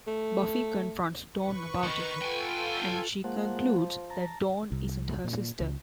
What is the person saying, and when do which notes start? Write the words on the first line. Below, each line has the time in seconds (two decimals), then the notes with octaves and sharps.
Buffy confronts Dawn about it, and she concludes that Dawn isn't her sister.
0.08 A3
1.32 B4 C#6
1.83 D#3
2.22 F4 A4 G5 G#5
3.24 F3 G#3 A#3 F#5
4.10 A5 A#5
4.72 C2
5.24 A#2
5.61 C#2